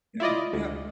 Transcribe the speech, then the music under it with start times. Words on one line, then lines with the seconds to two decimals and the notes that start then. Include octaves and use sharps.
Yeah, yeah.
0.20 E4 F4 D5 D#5
0.53 D2